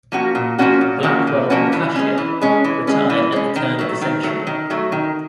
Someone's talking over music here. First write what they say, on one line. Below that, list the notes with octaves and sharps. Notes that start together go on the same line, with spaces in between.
Blackwell and Cushier retired at the turn of the century.
F3 A#3 C#4 F#4
A#2
F3 A#3 C#4 F#4
A#2
F3 A#3 C#4 F#4
A#2
F3 A#3 C#4 F#4
E3
G#3 C#4
E3
G#3 C#4
E3
G#3 C#4
E3
G#3 C#4
D#3
F#3 A3
D#3
F#3 A3
D#3
F#3 A3
D#3